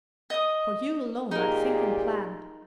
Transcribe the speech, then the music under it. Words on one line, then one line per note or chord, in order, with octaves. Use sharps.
For you alone, I think and plan.
D#5 D#6
A#2 D#4 G4 G#4 A#4